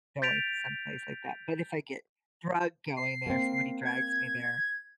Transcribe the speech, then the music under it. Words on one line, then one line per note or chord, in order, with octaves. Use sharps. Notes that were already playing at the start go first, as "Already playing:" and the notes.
going to some place like that. But, if I get drug going there, somebody drags me there,
G6 A6 B6 D7 F7
C7
A#3 C4
G#6